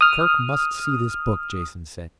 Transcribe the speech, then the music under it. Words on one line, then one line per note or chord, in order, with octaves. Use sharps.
"Kerk must see this book," Jason said.
D#6 F6